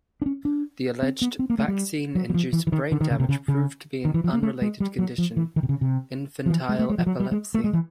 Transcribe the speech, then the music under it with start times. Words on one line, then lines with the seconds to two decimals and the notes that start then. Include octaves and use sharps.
The alleged vaccine-induced brain damage proved to be an unrelated condition, infantile epilepsy.
0.22 D4
0.26 C#4
0.45 D4
1.03 C4
1.22 B3
1.39 C4
1.50 A#3
1.59 A3
1.68 G3
2.15 F#3
2.30 F#3
2.34 F3
2.53 E3
2.67 E3
2.72 D#3
2.92 D3
3.01 D#3
3.11 C#3
3.20 C3
3.29 C#3
3.48 C#3
4.05 D#3
4.14 E3
4.24 F3
4.33 A#3
4.43 A3
4.62 G#3
4.80 G3
4.99 F#3
5.18 F3
5.37 E3
5.56 D#3
5.63 C3
5.69 C#3
5.81 C3
6.46 F3
6.50 E3
6.69 G#3
6.79 A3
6.90 G#3
6.98 F3
7.07 F#3
7.20 G3
7.32 G#3
7.54 A3
7.64 G#3
7.73 E3